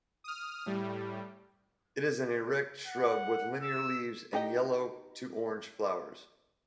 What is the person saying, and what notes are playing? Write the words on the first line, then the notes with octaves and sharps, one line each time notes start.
It is an erect shrub with linear leaves and yellow to orange flowers.
D#6 F6
A2 G3
F#5
E6
D#4 G4 D#5